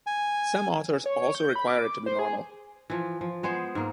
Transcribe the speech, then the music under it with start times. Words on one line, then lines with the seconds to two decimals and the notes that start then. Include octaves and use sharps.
Some authors also require it to be normal.
0.07 G#5
1.06 C#5
1.35 G6
1.56 B5
1.68 D6
2.06 C5
2.19 G#4
2.90 E3 F3
3.21 F3
3.43 G#3 B3 G#4 C5
3.75 G#2 A#3